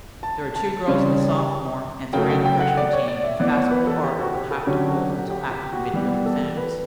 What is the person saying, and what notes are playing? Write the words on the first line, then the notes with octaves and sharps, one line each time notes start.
"There are two girls on the sophomore and three on the freshman team whose basketball ardor will have to cool until after the mid-year exams."
A5
A5
C#3 G3 C#4
C#3 F#3 A3 G5
G5
G5
F#5
D5
C#5
D5
E5
E3 B3 D5
C#5
B4
A4
G4
F#4
G4
A4
D3 F#3 C#4 G4
F#4
G4
G4
G4
F#4
E3 G3 B3 G4
A4
B4